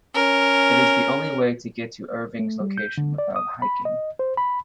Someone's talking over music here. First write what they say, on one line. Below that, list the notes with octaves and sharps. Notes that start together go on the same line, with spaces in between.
It is the only way to get to Erving's Location without hiking.
C#4 A#4
A3
G3
G6
D3
D5
D#6
B5
D#5
C5
B5